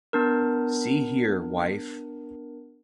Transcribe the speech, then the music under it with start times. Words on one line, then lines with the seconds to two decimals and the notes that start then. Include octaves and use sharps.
See here, wife!
0.13 B3 D4 A#4